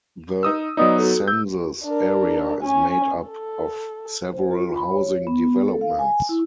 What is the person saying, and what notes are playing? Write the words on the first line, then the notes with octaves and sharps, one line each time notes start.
The census area is made up of several housing developments.
D#4 D#6 E6
F#3 B3 D#4 D5 D#5 D#6
F#4 A4
E6 G6
D4 A#4
C#4 G#5
A4
C5
F4
B5
C#5
B3
A4
F5
G#5
E4